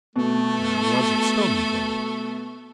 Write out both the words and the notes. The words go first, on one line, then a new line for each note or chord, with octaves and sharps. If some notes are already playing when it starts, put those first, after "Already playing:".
"And was it stolen from you?"
B2 A3